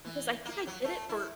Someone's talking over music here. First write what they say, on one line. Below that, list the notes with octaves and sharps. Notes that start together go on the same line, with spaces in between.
Because I think I did it for
E3
A#3
F#3
A3
E4